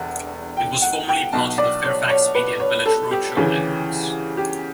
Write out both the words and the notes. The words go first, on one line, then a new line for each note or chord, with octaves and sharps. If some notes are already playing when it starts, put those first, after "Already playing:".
It was formerly part of the Fairfax Media and Village Roadshow networks.
Already playing: E1 E2 D3 F#5
G5
F#5
G5
B1 B2 A5
D5
C#5
C#5
B4
C#5
A4
G4
D2 C#3 E3
G4